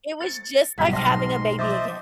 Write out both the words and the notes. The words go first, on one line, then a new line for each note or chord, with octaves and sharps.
It was, just, like having a baby again.
A6 C#7
G#1 B2 F#3 G3 G4 F#5 B6
B1 G#2 D#5 A5 C6 F6
F3 C5 D#5 E5 D6 A6